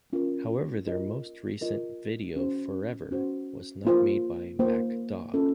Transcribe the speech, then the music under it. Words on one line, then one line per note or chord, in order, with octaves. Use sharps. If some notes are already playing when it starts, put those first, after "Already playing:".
However, their most recent video, "Forever", was not made by Mack Dawg.
C#4 F4 A#4
F4 A#4 D#5
F4 A#4 D#5
C#4 F#4 C5
C#4 F#4 C5
A#3 F4 C5
A#3 F4 C5
C#4 F4 A4